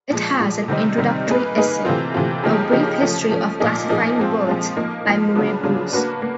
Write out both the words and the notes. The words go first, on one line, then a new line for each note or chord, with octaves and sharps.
It has an introductory essay "A Brief History of Classifying Birds" by Murray Bruce.
A#2 F3 G#3
A#2 F3 G#3
C3 D#3 G3 C4 D#4
C3 D#3 G3 C4 D#4
A#3 D#4 G#4 B4
A#3 D#4 G#4 B4
C3 E3 A3 C4 F4
C3 E3 A3 C4 F4
C#3 F3 A#3 D#4 G4
C#3 F3 A#3 D#4 G4
F3 A3 C#4
F3 A3 C#4
A#2 F3 A#3 D#4 G#4
A#2 F3 A#3 D#4 G#4
F3 G#3 C4 F4
F3 G#3 C4 F4
F3 A#3 D#4
F3 A#3 D#4
C#3 F#3 B3 D4 F4
C#3 F#3 B3 D4 F4
A#3 D4 F#4 B4
A#3